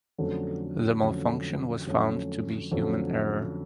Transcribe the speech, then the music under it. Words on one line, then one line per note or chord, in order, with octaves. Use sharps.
The malfunction was found to be human error.
F2 D3 F#3 A3 C#4
F2 D3 F#3 A3 C#4
F2 D3 F#3 A3 C#4
F2 D3 F#3 A3 C#4